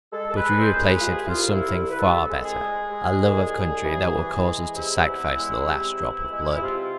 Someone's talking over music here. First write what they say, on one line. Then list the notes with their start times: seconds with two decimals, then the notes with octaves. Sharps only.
"But we replace it with something far better--a love of country that will cause us to sacrifice the last drop of blood."
0.13 G#3 A4
0.30 A4
0.36 B4
0.44 G#3
0.60 C5
0.74 C2
0.83 B4
0.99 F4
1.05 C2 G#4
1.24 E4
1.28 F4
1.36 C2
1.52 E4
1.68 C2
1.90 B4
1.98 C2 A4
2.30 G#3
2.44 G#4
2.60 G#3
2.91 G#3
3.21 C2
3.52 C2
3.84 E3
4.15 E3
4.46 G#3
4.76 C3 E4
5.08 E2
5.38 G#3
5.69 C3
6.00 E2
6.32 G#3
6.56 E4
6.62 C3 F4